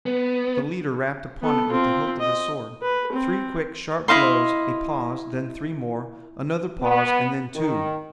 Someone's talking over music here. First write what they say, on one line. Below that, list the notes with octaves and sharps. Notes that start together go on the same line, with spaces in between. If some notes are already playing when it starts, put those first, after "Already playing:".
The leader rapped upon it with the hilt of his sword--three quick, sharp blows, a pause, then three more, another pause, and then two.
B3
B3 A4
C4 F4
D#5
B4
C4
E4 D#5 F5 C6
B3
D#3